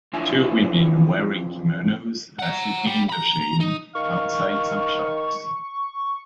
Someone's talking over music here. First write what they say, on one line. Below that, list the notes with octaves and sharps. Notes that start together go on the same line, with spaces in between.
Two women wearing kimonos are sitting in the shade, outside some shops.
F2 E3 D4 F4 E5 G#5
F#5 A#5
G3
A#5 B5
D#4
D#3 F5 C#6